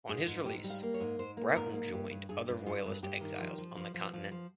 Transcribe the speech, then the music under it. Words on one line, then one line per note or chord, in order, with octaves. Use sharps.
On his release Broughton joined other Royalist exiles on the Continent.
G#2 G#4
G#2
G#2 G4
G3
F5
A#3
C#5
G#2
G#2 C5
A#3
G#2 A#4
A#3
G2 G4
G2
G2 G#4
G2
G2 F4
G2
G2 G4
D#3
F3
F3
F3
F3
F3
F3